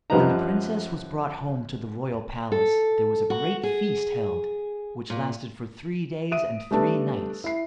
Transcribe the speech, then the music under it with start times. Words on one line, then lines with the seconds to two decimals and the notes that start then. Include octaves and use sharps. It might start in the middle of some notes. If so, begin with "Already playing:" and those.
When the princess was brought home to the royal palace there was a great feast held which lasted for three days and three nights.
0.10 F#2 F3 G3 B4 D#5 A#5
2.52 A4
3.30 F#4
3.63 G#4
5.10 A#2
6.31 E5 D#6 D7 D#7
6.71 G3 A3 B3 D4 A4
7.44 E4 C7